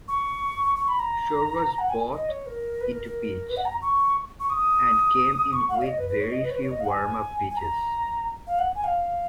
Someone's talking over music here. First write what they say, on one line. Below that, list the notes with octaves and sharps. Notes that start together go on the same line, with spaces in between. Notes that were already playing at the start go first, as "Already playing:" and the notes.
Shore was brought in to pitch, and came in with very few warmup pitches.
C#6
C#6
B5
A#5
F#5
G#5
D#5
C#5
A#4
B4
A#4
A#4
B4
F#5
A#5
C#6
C#6
D#6
C#6
F#5
F5
C#5
D#5
B4
B4
C#5
D#5
B4
C#5
B4
C#5
D#5
F5
F#5
G#5
G#5
A#5
F5
F#5
G#5
F5